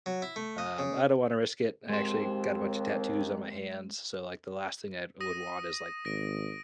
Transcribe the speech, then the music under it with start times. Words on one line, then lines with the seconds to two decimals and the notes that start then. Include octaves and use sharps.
um, I don't wanna risk it. I actually got a bunch of tattoos on my hands, so, like, the last thing I would want is, like,
0.06 F#3
0.22 E4
0.36 A3
0.58 D#5
0.78 C#3
1.89 D#2 G#3 C4 C5
5.20 D#6 A#6 D#7
6.05 G#1 A#6 D7